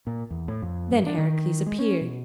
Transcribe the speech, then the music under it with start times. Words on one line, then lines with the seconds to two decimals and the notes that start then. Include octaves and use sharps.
Then Heracles appeared.
0.07 A#2
0.30 E2
0.48 A2
0.62 F2
0.92 G2
1.06 D4
1.18 D#3
1.66 G#3
1.78 C#4
2.01 B2